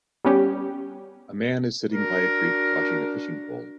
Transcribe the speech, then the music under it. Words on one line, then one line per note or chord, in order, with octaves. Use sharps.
A man is sitting by a creek, watching a fishing pole.
G3 B3 C#4 G4
D4 F#4 A#4